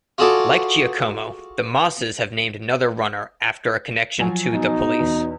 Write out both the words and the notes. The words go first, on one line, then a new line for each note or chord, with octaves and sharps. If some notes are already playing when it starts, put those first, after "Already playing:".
Like Giacomo, the Mosses have named another runner after a connection to The Police.
F4 F#4 G#4 A4 D5
F3 F#3 G#5
B2 D#4
E2